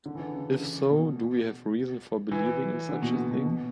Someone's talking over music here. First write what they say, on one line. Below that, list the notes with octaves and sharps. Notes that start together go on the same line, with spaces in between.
If so, do we have reason for believing in such a thing?
D3
E3
D3
C#3
B2
E3
D3
B2
B2
B2
B2